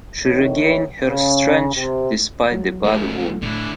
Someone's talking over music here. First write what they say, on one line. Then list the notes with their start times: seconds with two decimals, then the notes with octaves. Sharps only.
She regained her strength despite the bad wound.
0.25 A#1 A2 D#3 E3 C#5
1.06 C#3
1.74 C3
2.52 F#3
2.85 G#2 F3 A3
3.42 A2 D3 E4